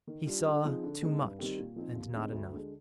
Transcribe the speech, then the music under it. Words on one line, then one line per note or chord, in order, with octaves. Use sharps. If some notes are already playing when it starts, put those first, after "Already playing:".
He saw too much, and not enough.
D#3
G3 D4 F4
D3
F3 C4 D#4 G#4
D3
G#3 C4 D#4
G2
D#3 G3 C4 G4
A#2
F3 C4 D#4
D#2
D3 G#3 C4 D#4
D2
D3 G#3